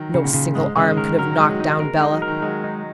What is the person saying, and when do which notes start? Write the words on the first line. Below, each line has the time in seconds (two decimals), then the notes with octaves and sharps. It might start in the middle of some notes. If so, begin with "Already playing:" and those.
No single arm could have knocked down Bela.
Already playing: D#3 F#3
0.14 C#3
0.24 A#2
0.34 C#3
0.55 G#2 G#3
0.77 C#3 G#3
0.97 D#3 A#4
1.18 F#3 A#4
1.33 D#3
1.39 G#3
1.50 F#3
1.60 G#3 D#4
1.80 G#3 A#4
1.96 G#3
2.01 D#4
2.12 F#3
2.22 A#4
2.27 D#3
2.42 F#3 G#3
2.64 D#4